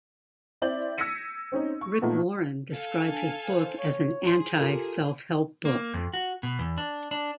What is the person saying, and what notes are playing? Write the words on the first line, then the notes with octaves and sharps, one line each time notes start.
Rick Warren described his book as an anti-self-help book.
C4 E4 D5 G6 F#7
E6 G#6 A#6 B6 C#7 D#7
C4 C#4 D#4
C#6
A#2 A3 B3 D#4
A4 F5 G#5
D4
C5
C#5
G#4 C6
F4 G4 A4 A#4
A#3
F2
F#4
B2
E2
D4
D4